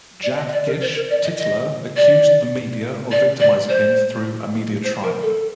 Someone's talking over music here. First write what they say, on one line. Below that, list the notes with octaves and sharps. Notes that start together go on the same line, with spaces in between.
Jadgish Tytler accused the media of victimizing him through a media trial.
D5
D5
D#5
D#5
D5
A#4
C5
A#4
D5
D#5
D#5
D5
D5
D5
C5
C5
A#4
A4